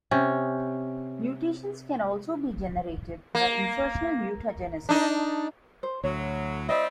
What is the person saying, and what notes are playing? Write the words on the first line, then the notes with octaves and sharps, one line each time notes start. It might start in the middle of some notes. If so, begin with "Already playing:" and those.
Mutations can also be generated by insertional mutagenesis.
C3 C#4
A#3
D4 D#4
C5
D2 A2 F#3 C#5
G3 C4 E4 D#5